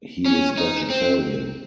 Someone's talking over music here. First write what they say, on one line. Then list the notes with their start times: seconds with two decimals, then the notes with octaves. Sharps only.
He is vegetarian.
0.25 C#4
0.58 D#4
0.90 C4